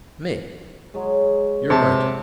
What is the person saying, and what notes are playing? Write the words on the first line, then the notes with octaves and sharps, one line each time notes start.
ME: You're right.
F#3 G#3
C3 A5